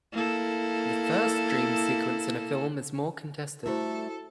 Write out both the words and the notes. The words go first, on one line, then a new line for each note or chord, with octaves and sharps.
The first dream sequence in a film is more contested.
A#3 E4 A4
G3 A3 E4 F#4 A4 C5 E5